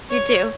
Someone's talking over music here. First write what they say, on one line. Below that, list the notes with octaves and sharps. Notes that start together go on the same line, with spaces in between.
You, too.
C#5